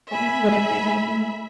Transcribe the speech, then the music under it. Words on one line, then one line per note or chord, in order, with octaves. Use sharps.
you know, whatever it may be.
E5 G#5 B5